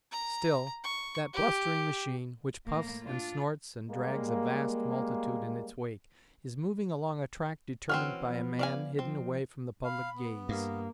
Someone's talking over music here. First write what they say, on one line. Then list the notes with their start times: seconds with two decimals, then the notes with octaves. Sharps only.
Still that blustering machine, which puffs and snorts, and drags a vast multitude in its wake, is moving along a track determined by a man hidden away from the public gaze.
0.11 A#5
0.84 C#6
1.33 G4
2.66 A2 A#3
3.03 D4 F4
3.90 G3 G#3 A#3
7.89 E3 C4 C#4 F#4 F6
8.25 F3 B3
8.59 D5 F5 G#5
8.99 F3 C4
9.84 F5 B5
10.17 B3
10.49 G2 A#3 F5